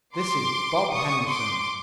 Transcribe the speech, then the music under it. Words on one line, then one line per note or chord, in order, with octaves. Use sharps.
This is Bob Henderson.
C6 D6
C#6 D#6
C6 D6